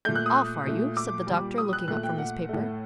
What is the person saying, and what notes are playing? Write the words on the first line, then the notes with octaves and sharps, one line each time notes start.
"Off, are you?" said the doctor, looking up from his paper.
A#2 A3 G6
F#6
D#6
A#2 A3
D6
A#2 G3
D#6
F#6
A#2 A3 F#6
G5
F#5
A2 A3